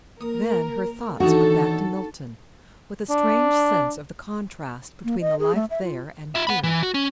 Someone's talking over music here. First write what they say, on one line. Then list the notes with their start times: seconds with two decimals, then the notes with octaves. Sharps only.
Then her thoughts went back to Milton, with a strange sense of the contrast between the life there, and here.
0.21 A#3 A#4 D#6
1.20 E2 A2 D#3 D4 D#4 F#4 A4
3.10 D4
5.04 A#3
5.21 D#5
5.39 G#4
5.55 A3
5.70 E5
5.83 F4
6.35 F4 E5
6.47 F#5 B5
6.64 E3
6.83 F#4
6.94 C#4